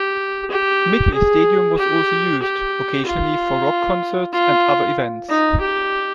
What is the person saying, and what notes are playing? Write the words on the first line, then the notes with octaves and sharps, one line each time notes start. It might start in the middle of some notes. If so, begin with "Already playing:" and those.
Midway Stadium was also used, occasionally, for rock concerts and other events.
Already playing: G4
G4
G#4
G4
G4
F4
F4
D#4
G4